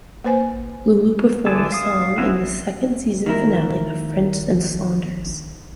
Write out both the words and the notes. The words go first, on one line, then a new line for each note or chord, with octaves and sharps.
Lulu performed the song in the second season finale of French and Saunders.
A#3 B4 C5 G#5
D3 E3 G#4 A4
F5 D#6
C4 C#4 E4 F#4
D#3 A#3 E4 A#4